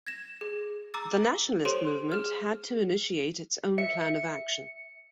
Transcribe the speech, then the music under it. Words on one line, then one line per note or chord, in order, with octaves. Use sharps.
The nationalist movement had to initiate its own plan of action.
G#6 A#6 E7
G#4
A#5 D6 E6 A6
G4 A4 C5 C#5 C6 D7
G#4 F6
E5 C#7